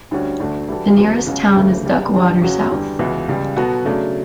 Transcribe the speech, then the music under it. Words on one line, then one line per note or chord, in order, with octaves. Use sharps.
The nearest town is Duckwater, south.
D2 D3 G3 C#4 F#4
D2 D3 A3 D4 F#4
E3 G3 D4 F#4 A4
E2 C#3 F#3 B3
C#2 C#3 F#3 C#4 F#4
D2 C#3 E3 A3
C#3 G3 D4
F#2 D3 G3
E2 C#3 F#3 C#4 F#4
E2 D3 G3
C#2 C#3 E3 B3 F#4
C#2 C#3 G3
B2 F#3 B3 F#4 A4
C#3 F#3 A3 D4